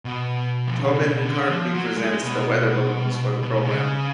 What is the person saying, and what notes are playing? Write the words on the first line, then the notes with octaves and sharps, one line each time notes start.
Tobin currently presents the weather bulletins for the programme.
B2
F3
D3
C#3
B2
D3
F3
F#3
G#3
B2
B2
C#3